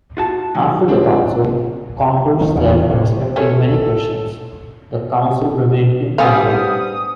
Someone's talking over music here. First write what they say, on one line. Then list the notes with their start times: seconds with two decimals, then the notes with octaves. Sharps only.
After the council, Congar said respecting many questions, the council remained incomplete.
0.17 F4 F#4 A5
0.55 G#2 D#3 F#3
0.88 C#2 C4 D4
2.41 D#3
2.56 E2 C#3
2.90 A2 C3
3.36 A3 C#4 A4 C#5
6.18 G3 B3 C4 D4 G4 F5 G#5 D#6